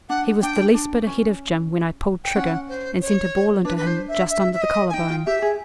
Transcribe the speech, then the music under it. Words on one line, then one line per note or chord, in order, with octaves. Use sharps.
He was the least bit ahead of Jim, when I pulled trigger, and sent a ball into him, just under the collar-bone.
D4 F#5
D4 G5
D4
C#4
G5
C#4 F#5
C5
C#5
D4 B4
B4
C5
E5
E5
E5
D#5
G#5
D#4 G5
F4
G4 E5
G#4